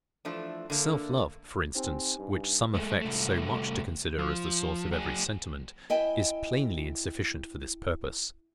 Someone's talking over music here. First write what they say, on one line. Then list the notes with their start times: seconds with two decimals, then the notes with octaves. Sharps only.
Self-love, for instance, which some affect so much to consider as the source of every sentiment, is plainly insufficient for this purpose.
0.25 E3 F3 A3 D4
0.70 D3 A3 A#3
1.75 C4 D#4 G4 G#5
2.19 G2
2.74 G#3 A3
3.01 C2 A3
4.19 F3
4.91 F#3 G#4
5.90 E4 D#5 G5 G#5